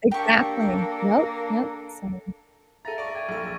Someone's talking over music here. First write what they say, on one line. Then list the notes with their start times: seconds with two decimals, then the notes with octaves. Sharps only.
Exactly, yep, yep so
0.11 A#3 D4 G4 A4 C#6
2.85 A4 E5 A#5 A6 A#6 D#7
2.98 D5 C#6 D7
3.15 G5 G#6 D#7
3.29 A#1 A4 C#6
3.44 E5